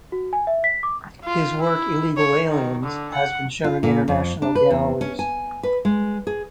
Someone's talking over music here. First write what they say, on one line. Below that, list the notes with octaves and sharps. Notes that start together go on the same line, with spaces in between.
His work "Illegal Aliens" has been shown in international galleries.
F#4
G#5
E5
B6
D6
F4
E4
C#5
D#3
D3
F#5
F4
A#2
F2
D4
B4
E2
C#4
G#5
B4
G#3
G#4